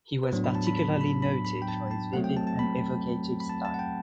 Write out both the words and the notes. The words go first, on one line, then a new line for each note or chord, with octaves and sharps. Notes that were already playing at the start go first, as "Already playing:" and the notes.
He was particularly noted for his vivid and evocative style.
B4
A2 F#3 B3 D4 C5
B5
A5
B5
B5
B5
B5
B5
G5
A5
A5
F#3 A3 C4 F#5
G5
A5
A5
B5
B5
A5
A5
F#5
G5